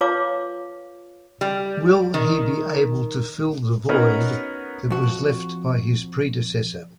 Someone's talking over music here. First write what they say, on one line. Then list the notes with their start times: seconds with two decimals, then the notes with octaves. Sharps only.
Will he be able to fill the void that was left by his predecessor?
0.01 F4 B4 C#5 F5 A5 D6
1.41 G3
2.14 D#3
3.89 B3 C#4 D#4 F#4 A#4
4.90 F2 F#4